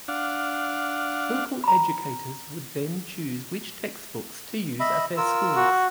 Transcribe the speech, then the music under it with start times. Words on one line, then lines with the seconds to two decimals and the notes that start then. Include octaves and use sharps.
Local educators would then choose which textbooks to use at their schools.
0.08 D4 F5 F#5
1.64 A#5 B5
4.80 D#5 E5 B5
5.17 F4 A#4 E6
5.57 F#4